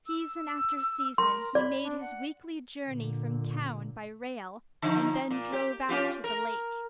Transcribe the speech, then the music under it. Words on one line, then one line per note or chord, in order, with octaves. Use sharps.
Season after season he made his weekly journey from town by rail, and then drove out to the lake.
E6
A#4 C6
D5 B5
D4
F#5
A#2 D3
D3 F3 D#4
A#2
G4
C#4 F4 G4
A#4